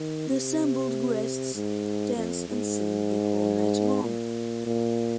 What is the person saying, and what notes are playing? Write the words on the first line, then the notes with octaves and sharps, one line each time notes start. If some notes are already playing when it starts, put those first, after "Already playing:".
The assembled guests dance and sing the whole night long.
Already playing: D#3
C3
G#2
F2
G#2
A#2
A#2